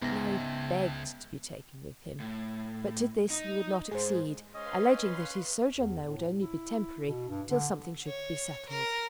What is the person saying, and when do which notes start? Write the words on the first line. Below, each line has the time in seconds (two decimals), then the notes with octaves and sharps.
Mary begged to be taken with him, but to this he would not accede, alleging that his sojourn there would only be temporary, till something should be settled.
0.02 C#2 G#2 B3 E5 G5 A5 A#6
2.20 A2
3.30 D#4
3.91 G#2 G#4 C5
4.55 C#4 B4 D#5 F5 C6
5.77 E2
6.03 A2
6.38 E4
7.05 B2
7.28 G2
7.50 D3
8.06 C#5
8.69 A#4